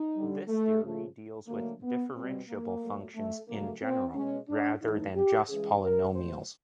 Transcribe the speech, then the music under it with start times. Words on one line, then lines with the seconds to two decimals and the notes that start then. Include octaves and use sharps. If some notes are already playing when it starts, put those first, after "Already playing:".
This theory deals with differentiable functions in general, rather than just polynomials.
Already playing: D#4
0.15 D3 G3
0.48 A3
0.82 C#3 F3 A3
1.48 D3 F#3 A3 A#3
1.82 B3
2.16 B2 G3 C4
2.49 A#3
2.81 A#2 F#3 A3
3.15 A3
3.49 C#3 F#3 A3 A#3
3.82 C4
4.15 B2 G#3 C#4
4.49 D4
4.82 A2 E3 A3 D#4
5.16 G4
5.49 C#3 E3 G#3 G#4
5.82 A#4
6.15 A#2 F#3 A3 C5